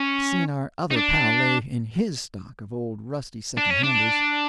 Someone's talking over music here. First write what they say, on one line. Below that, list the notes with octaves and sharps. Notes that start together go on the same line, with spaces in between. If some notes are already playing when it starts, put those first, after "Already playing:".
I seen our other pal lay in HIS stock of old rusty second-handers.
Already playing: C#4
D#4
D4
D4
C#4
D4